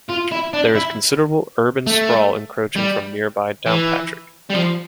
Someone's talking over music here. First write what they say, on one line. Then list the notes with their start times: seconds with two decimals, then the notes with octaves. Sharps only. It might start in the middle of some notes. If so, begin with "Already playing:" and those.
There is considerable urban sprawl encroaching from nearby Downpatrick.
0.09 F4
0.31 E4
0.53 D4
0.75 E4
1.87 A3
2.76 G3
3.66 E3
4.50 G3
4.54 F3